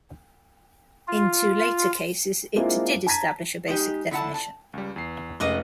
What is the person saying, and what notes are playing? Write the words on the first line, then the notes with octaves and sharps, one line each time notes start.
In two later cases, it did establish a basic definition.
F4
G#3 A#3 C4 D4 E4 F4
D4
A5 A#5 G#6 B6 D#7
G#3 D#4 G4
D3 E4 F#5 A5
A5
C#2 G3
E2 C7
F1 G#3 C#4 A#4 D#5 F#5 D6